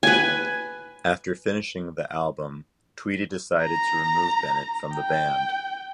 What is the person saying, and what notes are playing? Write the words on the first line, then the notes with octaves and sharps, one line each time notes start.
After finishing the album, Tweedy decided to remove Bennett from the band.
B4 G#5
A#5
G5